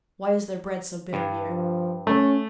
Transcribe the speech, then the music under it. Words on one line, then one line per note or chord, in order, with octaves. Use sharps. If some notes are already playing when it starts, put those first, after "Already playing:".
"Why is their bread so bitter here?"
G2
F3
A3 C#4